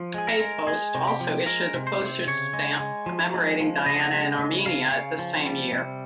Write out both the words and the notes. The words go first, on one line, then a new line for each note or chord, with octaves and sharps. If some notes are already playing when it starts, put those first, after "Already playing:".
HayPost also issued a postage stamp commemorating Diana in Armenia at the same year.
Already playing: F3
G#3 G#4
A#4
G#3
G#3 G#4
C3
G4
F3
G#3 A#4
C3
C5
C3
C#3 C#5
G#3
G#3
F3
G#3
F3
C#3 D#5
G#3
C#3
C#3 F5
C#3
F3
G3
C3